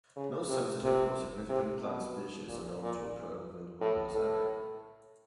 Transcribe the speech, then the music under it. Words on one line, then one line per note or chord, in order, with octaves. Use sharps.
No sensitive or significant plant species are known to occur within the wilderness area.
C#3
C3
C3
C3
B2
A#2
A#2
A2
A2